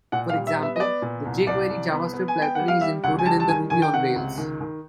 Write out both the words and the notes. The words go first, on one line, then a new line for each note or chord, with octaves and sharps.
For example, the jQuery JavaScript library is included in Ruby on Rails.
A#2 F#5
F5
G3
E5
B3 E5
D#5
B3 D5
A#2
C2
C2 D5
C2
B3
B3
G#5
B3
G5
G3 F#5
F5
G3 E5
C#2 F#5
G#5
G3 A5
A5
D#3 G#5
D#3 G#5
G5
C3 F#5
C#2
D#3
D#3